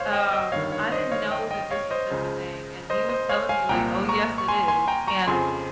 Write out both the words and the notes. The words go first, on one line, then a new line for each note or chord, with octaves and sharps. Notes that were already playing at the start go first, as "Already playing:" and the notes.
um, I didn't know that this was such a thing, and he was telling me, like, "Oh, yes, it is." And
Already playing: G1 C5 C#5 F5
D#5 G5
D#5 G5
G1 G2 D#3 C#5 F5
C#5 F5
C5 D#5
C#5 F5
D#5 G5
D#5 G5
C#5 F5
C5 D#5
C#2 C#3 F3
C5 D#5
C5 D#5
C#5 F5
F5 G#5
C2 A#2 F3 G5 A#5
A#5 C#6
C#6
G#5 C6
G#5 C6
G5 A#5
A#5 C#6
F2 C#3 F3 G#5 C6